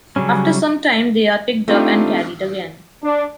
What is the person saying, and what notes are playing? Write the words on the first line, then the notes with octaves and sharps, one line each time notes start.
After some time they are picked up and carried again.
C#3 F#3 G3 C#4
A3 C4 D4 D#4 F4 G4
D4